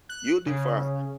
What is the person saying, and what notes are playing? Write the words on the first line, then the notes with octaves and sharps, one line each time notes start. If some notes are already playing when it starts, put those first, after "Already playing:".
you'll do fine.
F#6
C#3